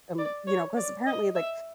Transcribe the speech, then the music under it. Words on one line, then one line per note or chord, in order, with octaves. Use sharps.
um you know, 'cause apparently, like,
D5
C#5
D5
D#5
E5